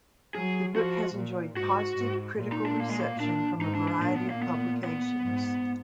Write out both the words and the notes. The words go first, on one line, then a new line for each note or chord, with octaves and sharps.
The book has enjoyed positive critical reception from a variety of publications.
F#3 G#4
F3 F#4
A#2
G#2 F#4
G#2
A#2
D#4
D4
A#3
G#3
A#3
A#2 D4
G#2 D#4
D4
D4
A#2 D4
B3
A#3
B3
B3
G#2